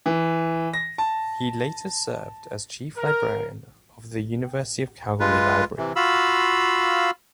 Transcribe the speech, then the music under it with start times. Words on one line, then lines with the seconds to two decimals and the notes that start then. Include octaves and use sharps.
He later served as chief librarian of the University of Calgary Library.
0.06 E3
0.73 A#6
0.98 A5
2.97 A#4
5.20 G#3 F4 B4
5.77 C3 E3
5.96 F4 F#4 F5 B5 E6